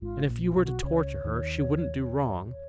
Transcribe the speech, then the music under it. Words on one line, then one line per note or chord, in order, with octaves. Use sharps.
And if you were to torture her, she wouldn't do wrong.
G#1 G#2 F4
A#1 A#2
F4
B1 B2
F#4
C#2 C#3 C#5
D#2 D#3
C#5